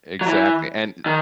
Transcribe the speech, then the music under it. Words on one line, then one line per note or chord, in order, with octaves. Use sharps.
Exactly. And i
F#3
E3
D#3